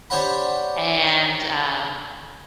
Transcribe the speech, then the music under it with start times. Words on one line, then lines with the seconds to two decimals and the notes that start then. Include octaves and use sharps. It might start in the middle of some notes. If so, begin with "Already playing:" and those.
and, um,
0.10 D4 G4 C5 C#5 F#5 B5